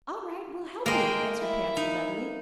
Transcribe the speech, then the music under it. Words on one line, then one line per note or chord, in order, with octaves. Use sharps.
"All right; we'll help you," answered Patsy, readily.
G#3 A#3 D#5 G5
E4
D#4